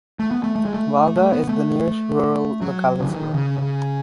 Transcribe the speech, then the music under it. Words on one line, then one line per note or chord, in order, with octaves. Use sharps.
Valga is the nearest rural locality.
A3
B3
A3
A3
G#3
A3
A3
B3
A3
F#3
C#3
D#3
C#3
C#3